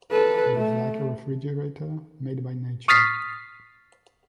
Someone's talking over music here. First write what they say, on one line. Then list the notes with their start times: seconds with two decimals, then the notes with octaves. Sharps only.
It is like a refrigerator made by the nature.
0.11 A4 B4
0.56 A3
2.88 C#6 D#6 F6 A6 B6 C7